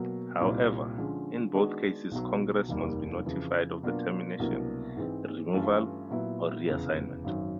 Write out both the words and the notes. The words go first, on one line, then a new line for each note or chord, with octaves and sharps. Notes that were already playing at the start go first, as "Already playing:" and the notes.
However, in both cases Congress must be notified of the termination, removal, or reassignment.
Already playing: B2 F#3 A#3
C2 A#2 G3 C4 D#4
D3 F3 G#3 C#4
D#3 G#3 B3 D4 F#4
B1 B2 F#3
F1 D#2 D#3 G3 A#3
F2 C#3 E3
B2 F#3 A#3 D4 F4
C2 B2 F#3 A#3 D4
G#2 E3 G#3 C4
G2 E3 A3 C#4 F4
A#2 F#3 B3 E4
F1 E2 C#3
G#1 F#2 D#3